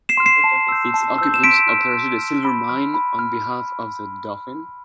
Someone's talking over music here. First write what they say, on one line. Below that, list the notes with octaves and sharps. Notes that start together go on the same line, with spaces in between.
Its occupants operated a silver mine on behalf of the Dauphin.
C7 E7
C6 F6
C7 E7
A5
E6 G6
A5
E6 G6
E7
C6 B6 D7
F6
C6
F6
B5
F6
B5
F6